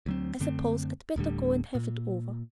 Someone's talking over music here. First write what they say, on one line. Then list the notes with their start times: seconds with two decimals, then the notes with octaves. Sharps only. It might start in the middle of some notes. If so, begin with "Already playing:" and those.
I suppose I'd better go and have it over.
0.06 D2 F#3 C4
0.40 F#2 D3 A3 C4
1.16 D1 A2 D3 G3
1.75 A#2